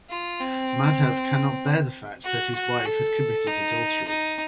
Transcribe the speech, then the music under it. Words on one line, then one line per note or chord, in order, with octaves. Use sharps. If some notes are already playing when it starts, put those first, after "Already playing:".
Madhav cannot bear the fact that his wife has committed adultery.
F4
C4
F#4
F#4
A4
D#4
D#4